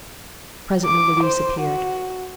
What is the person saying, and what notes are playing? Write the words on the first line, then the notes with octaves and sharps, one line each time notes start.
Presently Louise appeared.
D6
C5
F#4